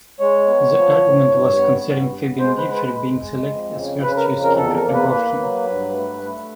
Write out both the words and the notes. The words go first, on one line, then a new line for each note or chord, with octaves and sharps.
The argument was concerning Fabian Giefer being selected as first choice keeper above him.
G#3 C#5
B3
F3
A2
G2
B3
G2
B3
G#3 C5
B4
G#3
B4
G#3
G#3
F2
C#3
C#3 B4
A#4
F2
A#4
E2 A4
A#4
A#3
B4
A#3 B4
F#3
G2
A3
A3